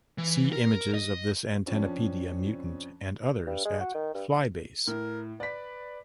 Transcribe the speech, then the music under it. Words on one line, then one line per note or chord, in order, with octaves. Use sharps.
See images of this "antennapedia" mutant and others, at FlyBase.
E3
A#4
D#5
F2 F3 C#4 D4
G2
G#3
F#4
D#3
G2
A2 A#4
B4 D5 B6